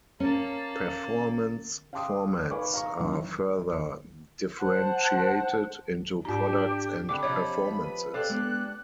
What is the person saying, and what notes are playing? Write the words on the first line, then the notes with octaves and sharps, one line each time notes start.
Performance formats are further differentiated into products and performances.
A#3 C#4 A5
F5 G5 A5 C6 D6 D#6
D#4 B4 F5 G#5 C#6 D6
F5 A#5 C#6
F#2 D#3 E3
C5 F#5 A5 F#6
G#2 D4 G4 A#5
D3 C4 D4 G4 B4 F#5 D6
C3 F3 D#4 C#5 B5
B4
G4 A4 C5 D5 F5 F#6
G#3 B3 D4